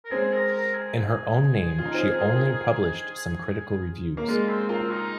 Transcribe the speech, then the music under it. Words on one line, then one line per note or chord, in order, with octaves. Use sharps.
In her own name, she only published some critical reviews.
A#4
G#3 C4 G#4
A#4
A#4
G#4
G#4
F4
D#4
C4 F4
F4 A#4
A#3
G#3 F4
C4
C4 F4 A#4
D#4